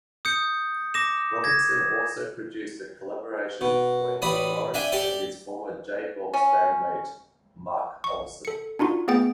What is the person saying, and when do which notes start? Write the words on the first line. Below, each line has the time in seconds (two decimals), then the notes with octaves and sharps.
Robinson also produced a collaboration between Louris and his former Jayhawks bandmate Mark Olson.
0.25 D#6 G6 C#7
0.94 D6 A#6 E7
1.44 G#6 A#6
3.61 B2
4.22 A1 D5 B5 D#6
4.74 D4 E5 G5 G#5 D6
4.92 G4 A4 D5 G5 D6
6.34 C#4
8.04 C#6
8.45 A4 C#7
8.79 D4 D#4 F4 F#4
9.08 A3 B3 G#4 G5 A6